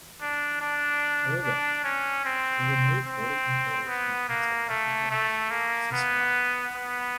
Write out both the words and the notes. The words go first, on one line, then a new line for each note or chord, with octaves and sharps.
However, there were no border controls between South Africa and Ciskei.
D4
D4
D4
C#4
C4
C4
B3
A#3
A3
A3
A#3
B3
B3